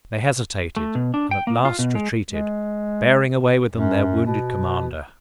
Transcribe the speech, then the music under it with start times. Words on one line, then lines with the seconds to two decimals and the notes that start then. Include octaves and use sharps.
They hesitated, and at last retreated, bearing away with them their wounded commander.
0.76 A3
0.95 B2
1.14 D4
1.31 G5
1.47 A#3
1.65 F4
1.79 B2
1.95 G#3
2.29 G#3
3.72 F#2
4.26 B2